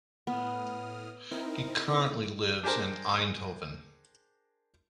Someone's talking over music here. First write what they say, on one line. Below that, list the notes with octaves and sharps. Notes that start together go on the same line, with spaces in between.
He currently lives in Eindhoven.
A2 B3 D#6 F6
C4 D#4 E4 A#4
D4 G4 G#4 A#4 C5